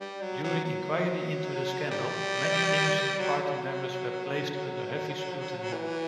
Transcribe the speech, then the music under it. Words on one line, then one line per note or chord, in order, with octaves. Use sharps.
During inquiry into the scandal, many innocent party members were placed under heavy scrutiny.
G3
F#3
F#3
F#3
G3
F#3
E3